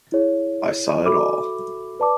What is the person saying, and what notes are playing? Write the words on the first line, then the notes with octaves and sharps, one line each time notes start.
I saw it all.
E4 G#4 C#5
F#4 A4 E5 B5 D6
B4 D5 A5 D6